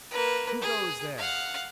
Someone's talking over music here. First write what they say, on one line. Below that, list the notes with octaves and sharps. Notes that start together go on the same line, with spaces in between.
"Who goes there?"
A#3 B4
G#4
F5 F#5